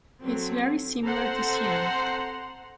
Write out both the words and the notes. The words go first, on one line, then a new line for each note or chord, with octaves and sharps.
It is very similar to cyan.
F#3 C4 A4
C4 A4 C5 F#5 A#5 C6